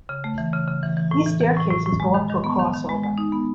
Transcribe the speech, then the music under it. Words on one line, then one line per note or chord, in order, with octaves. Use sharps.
These staircases go up to a crossover.
C#3
A3
E3
C#3
C#3
E3
E3
A2
E3
E3
A2
A2
A2
G#3
D#3
D#3
B3
D#3
D#3
G#3
G#3
D#4
B3